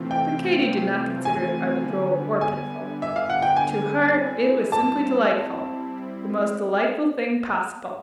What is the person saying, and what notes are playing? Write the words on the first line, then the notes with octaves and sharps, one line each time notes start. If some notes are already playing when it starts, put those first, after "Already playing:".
But Katy did not consider it either droll or pitiful; to her it was simply delightful--the most delightful thing possible.
Already playing: C3 E3 A3 C4 F4
G5
G#5
D3 G3 B3
G#5
E5
F5
F#5
G5
G#5
G3 C4 E4
A5